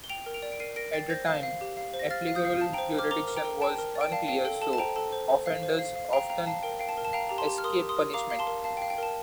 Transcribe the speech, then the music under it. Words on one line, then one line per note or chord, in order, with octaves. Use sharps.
At the time, applicable jurisdiction was unclear, so offenders often escaped punishment.
G7
G5 D7 F7
A#4
D7 F7
D5
D7
A#4 C7 D#7
A#4 A#6 D7
G5 A6 C7
C5 G6 A#6
F5
F5
G4
F5
C5
A#6
F5 F6 A6
F5
D#6 G6
F5
F5 A5
C5 G5 A#5
C5 D6 F6
A#4 A#5 D6
A#4
G5 A#5
A#4
G5 A5
A#4
D5
G5
F5 A5
F5 G5
A4 G5
A4 A5
A5
C5 G5 A#5
A4 A5
C5
C5
F5
C5
F5
F5
F5 G5 A#5
F5 G5 A#5
F5 A5
A#4 G5
F5 G5
A5
A#4
A5
F5 G5 A#5
G4 A#5
A5 C6
G4
F6
A#4 C6 D#6
G4
C6 D#6
A#4
F5 A#5 D6
F5
A5 C6
A#4
F5 A5
G5
F5
G5
A#4 A5